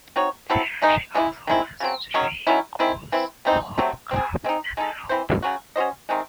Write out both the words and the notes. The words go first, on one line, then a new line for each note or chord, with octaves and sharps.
There she also won three golds - Hoop, Clubs and Rope.
C4 D#4 F#4 C#5
F#3 C4 E4 A4
C3 D#3 G#3 D#4
C#3 G#3 C#4 E4
D#3 G#3 C4 E4
C#3 F#3 C4
D#3 F#3 C#4 G#4
D#3 F#3 C#4 E4
D#3 G#3 C4 E4
E3 C4 E4
C3 E3 C4 D#4
C3 F#3 A3 C4
C4 D#4 G#4
G#3 C4 D#4
G#3 D#4 A4
E3 C4 E4 C5
C#3 F#3 C#4 F#4
C#4 F#4 C5 D#5
C3 D#3 G#3 C4